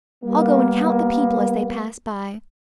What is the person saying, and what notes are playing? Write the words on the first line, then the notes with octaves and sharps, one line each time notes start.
I'll go and count the people as they pass by.
G3 A#3 B3